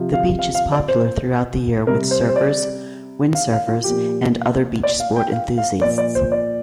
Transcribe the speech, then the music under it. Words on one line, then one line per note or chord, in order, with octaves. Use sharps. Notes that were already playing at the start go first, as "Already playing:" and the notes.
The beach is popular throughout the year with surfers, windsurfers, and other beachsport enthusiasts.
Already playing: C3 F3
F5
F5
F5
D5
C5
C3 G3 A#4
C5
C5
D5
F5
F5
F4
A#2 F3 G4
D5
F5
G5
F5
F5
A#2 F3 D5
D5
C5
D5